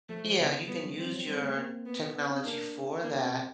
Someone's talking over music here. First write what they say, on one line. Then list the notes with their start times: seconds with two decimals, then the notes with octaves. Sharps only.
Yeah, you can use your technology for that
0.09 F3 A3
0.25 F3
0.39 C#3 B3
0.53 D3
0.68 G3 B3
0.83 F#3
0.97 G3 C4
1.12 F#3
1.27 G3 C4
1.42 A3
1.56 A#3
1.86 B3
2.15 B3
2.30 C4
2.44 A#3 D4
3.03 A#3 D4
3.18 C4
3.33 C4